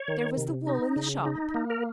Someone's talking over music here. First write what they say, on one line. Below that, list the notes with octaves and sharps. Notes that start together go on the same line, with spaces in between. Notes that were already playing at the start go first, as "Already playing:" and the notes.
There was the wool in the shop.
Already playing: C#5
D#3
C3
D#4
C#3
D#4
A#3
A#4